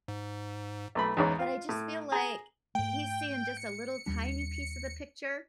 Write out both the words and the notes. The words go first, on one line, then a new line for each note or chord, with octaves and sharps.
but I just feel like, he's seeing just a little, tiny piece of the picture,
G#2
B1 A3 B5
E2 G#2 C#4
F4
A2
G#4 A#5
G#2 A3 G5
C#7
D#2 G3 D4